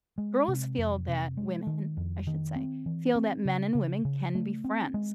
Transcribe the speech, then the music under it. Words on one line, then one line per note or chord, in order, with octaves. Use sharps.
girls feel that women, I should say, feel that men and women can be friends.
G#3
C3
F2
C3
G#3
D#3
F2
D#3
C4
E3
C4
C#3
C#3
C#3
A3
C4
G#3